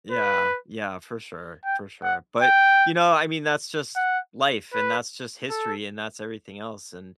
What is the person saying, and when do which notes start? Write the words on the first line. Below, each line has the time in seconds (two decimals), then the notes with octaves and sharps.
Yeah, yeah, for sure, for sure, but, you know, I mean, that's just life, and that's just history, and that's everything else, and,
0.11 B4
1.65 G5
2.04 F#5
2.42 G5
3.96 F#5
4.73 B4
5.50 A4